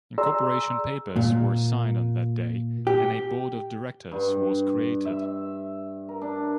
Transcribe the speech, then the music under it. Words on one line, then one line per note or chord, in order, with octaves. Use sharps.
Incorporation papers were signed on that day and a board of directors was created.
G#4 D5 A#5 C6 E6
A#2
G4
G2
E5
A#4
D4